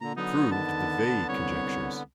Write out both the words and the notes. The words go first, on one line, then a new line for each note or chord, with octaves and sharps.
Proved the Weil conjectures.
A#2 D3 A#5
D3 F#3 B3 D#4
D#3 A5
C2 C#5